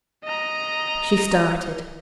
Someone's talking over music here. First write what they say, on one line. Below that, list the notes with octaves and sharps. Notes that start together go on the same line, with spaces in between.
She started.
D#5 A#5